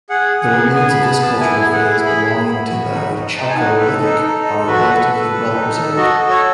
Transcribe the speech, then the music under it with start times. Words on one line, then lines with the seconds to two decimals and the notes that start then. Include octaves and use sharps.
The remains of this cultural phase belonging to the Chalcolithic are relatively well preserved.
0.10 G#4 F#5
0.32 G#4
0.42 F#5
0.53 B3
0.75 G#4 G#5
0.91 B5
0.97 B3 A5
1.08 B5
1.19 B3 A5
1.40 E4 G#5
1.61 G#4
1.73 F#5
1.84 E4
2.05 G#4 B5
2.27 E4
2.49 B3
2.70 F#4
2.92 D#4
3.15 D#4
3.36 D#4 A5
3.50 G#5
3.57 D#4 F#5
3.79 A4 B4
4.01 D#4 A4
4.22 D#4
4.45 A4
4.67 F#4 B4
4.74 A4
4.81 B4
4.88 A4
5.11 A4
5.31 A4
5.54 D#4
5.76 A4
5.96 F#4 D#5
6.13 D#5
6.19 A4
6.30 C#5